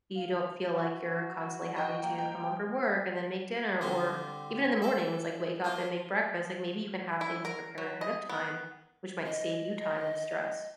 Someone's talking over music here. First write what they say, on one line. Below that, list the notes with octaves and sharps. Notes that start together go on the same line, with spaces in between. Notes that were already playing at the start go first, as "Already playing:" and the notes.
you don't feel like you're constantly having to come home from work and then make dinner, or even in the mornings, like, wake up and make breakfast, like, maybe you can have things prepared ahead of time, which might save you time and stress.
F5
F#4
D#5 G5
A#3
G5
D3 G3 C4
A4 E5
F#3 A#3 F4
E4
A#4
F#3
D#5
B3
D#5